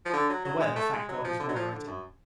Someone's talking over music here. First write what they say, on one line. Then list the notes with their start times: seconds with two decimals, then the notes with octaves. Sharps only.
The weather, thank God, is moderating.
0.05 F3
0.13 D3
0.29 F#3
0.45 F#3
0.60 G#3
0.76 A3
0.92 G#3
1.08 F#3
1.24 F3
1.40 D3
1.49 F#3
1.55 F3
1.71 D3
1.87 F#2